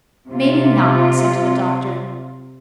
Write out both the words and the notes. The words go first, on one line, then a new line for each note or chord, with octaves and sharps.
"Maybe not," assented the doctor.
C3 F4